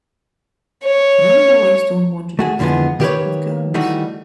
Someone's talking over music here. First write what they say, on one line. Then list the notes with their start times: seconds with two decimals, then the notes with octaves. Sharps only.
Young boys don't want to do things with girls.
0.84 C#5
2.39 A3 F#4 G#4
2.59 F2 D3 E3 F3 G#3 B3
3.00 D#3 A#3 G4 A4 B4 C#5
3.74 D#3 E3 G3 A3 D#4 F#4